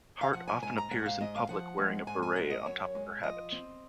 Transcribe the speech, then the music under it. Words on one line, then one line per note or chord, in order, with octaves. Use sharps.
Hart often appears in public wearing a beret on top of her habit.
F5
F3 F#5
G#5
G#2 G#5
A#5
G#2 F#5
F5
G#2 D#5
F5
F3 F#5
G#3
G#2 G#5
G#5
G#2 F#5
D#5
F#2 C#5
G#3
F3 D#5
C4